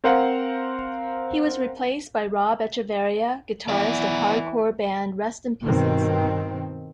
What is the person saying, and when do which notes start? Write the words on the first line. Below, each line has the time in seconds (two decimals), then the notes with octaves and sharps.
He was replaced by Rob Echeverria, guitarist of hardcore band Rest in Pieces.
0.04 C4 A#4 C5 F5 F#5
3.68 E3 B3 D5
5.63 G2 B2 D#3 C4